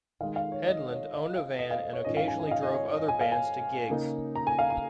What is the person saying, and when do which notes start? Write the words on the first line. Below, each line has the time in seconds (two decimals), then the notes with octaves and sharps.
Hedlund owned a van and occasionally drove other bands to gigs.
0.20 D#3 G#3 D#4 F5
0.36 F5
0.52 C#5
0.67 D#5
0.90 C#5
1.13 D#5
1.36 F5
1.59 D#5
1.71 F5
1.82 D#5
1.93 C#5
2.05 G#2 D#3 C#4 F4 D#5
2.17 F5
2.28 G#5
2.39 G#5
2.47 D#5
2.51 F5
2.63 D#5
2.74 C#5
2.86 C#5
2.97 D#5
3.08 G#5
3.21 F5
3.32 G#5
3.90 C#3 A#3 D#4
4.35 A#5
4.47 G#5
4.59 F5
4.70 G#5